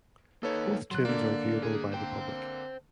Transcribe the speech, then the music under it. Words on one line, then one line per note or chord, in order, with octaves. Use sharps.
Both tombs are viewable by the public.
A#3 D#4 A4 B4 C#5
F#3 C6 F#6
D3 A#3 D5
G#4
C5 G5